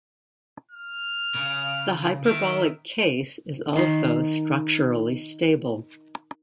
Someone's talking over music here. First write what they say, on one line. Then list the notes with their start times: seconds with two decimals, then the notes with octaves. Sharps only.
The hyperbolic case is also "structurally stable".
0.71 F6
1.35 C#3
2.25 D#3 E5
3.76 D#3 C6